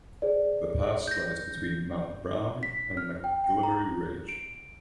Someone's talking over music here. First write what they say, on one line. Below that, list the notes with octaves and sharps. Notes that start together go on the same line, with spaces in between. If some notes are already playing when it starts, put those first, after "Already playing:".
The pass lies between Mount Brown and McGillivray Ridge.
G#4 C5 D5
G6 A#6
B6
F6
G5
G5
A#5
D7